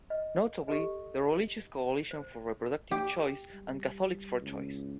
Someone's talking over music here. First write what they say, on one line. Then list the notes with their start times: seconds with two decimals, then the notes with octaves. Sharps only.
Notably, the Religious Coalition for Reproductive Choice and Catholics for Choice.
0.10 D#5
0.68 G4 A4 D#5
2.11 C5
2.91 G4
3.54 G3
4.41 C#2